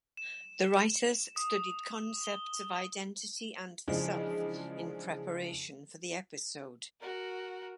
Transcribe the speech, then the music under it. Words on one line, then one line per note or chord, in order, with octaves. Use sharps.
The writers studied concepts of identity and the self in preparation for the episode.
E7
D#6
G7
C#3 E3 F3 G#3 D4 G#4
F#4 A#4